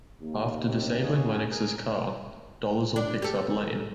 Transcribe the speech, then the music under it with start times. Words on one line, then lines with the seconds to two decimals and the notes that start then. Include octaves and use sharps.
After disabling Lennox's car, Dolezal picks up Lane.
0.22 D#2 A#3
0.68 C3
1.04 C#4 G#4
1.52 G#4 A#4
2.96 D4
3.22 G4 A4